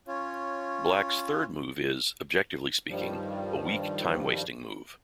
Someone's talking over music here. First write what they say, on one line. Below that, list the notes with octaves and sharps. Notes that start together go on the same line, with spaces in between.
Black's third move is, objectively speaking, a weak, time-wasting move.
C#4 F4 C#5
G2 D#3 F3 G3